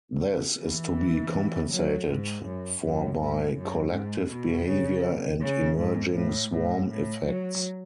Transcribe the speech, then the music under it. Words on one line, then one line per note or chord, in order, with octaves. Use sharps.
This is to be compensated for by collective behavior and emerging swarm effects.
E3
F#3
G#2
F#2
F#2
G#2
F#2
G#2
B2
C#3
C#3
G#2
A2
A2
A2
F#3